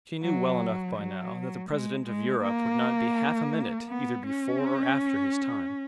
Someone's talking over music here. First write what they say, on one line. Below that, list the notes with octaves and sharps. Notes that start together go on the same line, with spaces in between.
She knew well enough by now that the President of Europe would not be half-a-minute either before or after his time.
F#3
F#3
G#3
G#3
A#3
B3
C#4